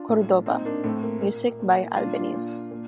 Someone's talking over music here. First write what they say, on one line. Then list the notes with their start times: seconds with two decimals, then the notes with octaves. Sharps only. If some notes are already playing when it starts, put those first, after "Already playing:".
Cordoba, music by Albeniz.
Already playing: D4 F4
0.08 A2
0.46 A#2 C4 D#4
0.65 A#3 D4
0.83 A2 A3 C4
1.03 A#3
1.21 A#2 A#3
1.60 A#2
1.96 A#2 D4 F4
2.15 D4 F4
2.33 A#2
2.71 A#2